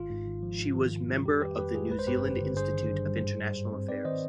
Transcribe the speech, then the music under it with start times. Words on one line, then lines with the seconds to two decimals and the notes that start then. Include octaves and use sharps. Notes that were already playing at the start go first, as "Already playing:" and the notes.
She was member of the New Zealand Institute of International Affairs.
Already playing: G#1 F4
0.10 G#2
0.26 G#1
0.43 F3
0.59 G#2
0.76 D#3
0.92 G#2
1.09 G3
1.25 F2 G4
1.41 D#3 G4 B4
1.58 F2 G4 B4
1.74 G#3 F4 G#4
1.91 G#1 B4
1.99 C5
2.07 G2 G4 B4
2.24 G#1
2.41 D3
2.56 G2 G#4 C5
2.73 D#3
2.90 G2
3.06 G3
3.22 G#2
3.39 G3
3.55 G#2
3.72 C4
3.89 C4 B4 D5
4.05 D#3 C5 D#5